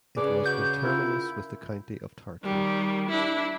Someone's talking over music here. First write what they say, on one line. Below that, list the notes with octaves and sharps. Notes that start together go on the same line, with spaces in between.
It was conterminous with the county of Tartu.
C#3 G#4 B4 D5
F#4 G6
E4 F4 A#4
D#3 G3
D4 E4